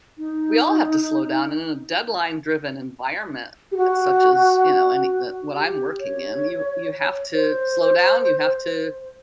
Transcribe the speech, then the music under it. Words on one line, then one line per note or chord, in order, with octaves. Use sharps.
we all have to slow down and in a deadline-driven environment such as, you know, any n what I'm working in, you you have to slow down, you have to
D#4
G4
F#4
G4
C#5
C5